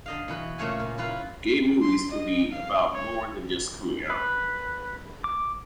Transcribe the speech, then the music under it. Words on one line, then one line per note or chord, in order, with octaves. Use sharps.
Gay movies can be about more than just coming out.
D3 D#5 F5
B2 E3 B4
A#2 C#3 A3 C#5 F5 G#5
A#2
E4 F4 B4 F5
C6
D#5
F5
C#5
B4
D6